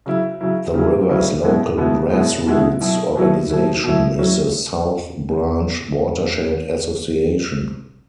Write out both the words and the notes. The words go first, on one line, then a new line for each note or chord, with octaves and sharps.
The river's local grassroots organization is the South Branch Watershed Association.
C#3 F#3 E4
C#3 F#3 E4
C#3 F#3 E4
C#3 F#3 E4
B2 G#3 B3 E4
B2 G#3 B3 E4
B2 G#3 B3 E4
B2 G#3 B3 E4
B2 F#3 E4
B2 F#3 E4
B2 F#3 E4
B2 F#3 E4
F#3 C#4 E4